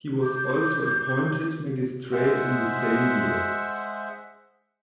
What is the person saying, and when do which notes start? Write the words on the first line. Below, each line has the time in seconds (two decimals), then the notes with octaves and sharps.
He was also appointed magistrate in the same year.
0.23 D6 G6
2.12 G#3 C5 E5 F#5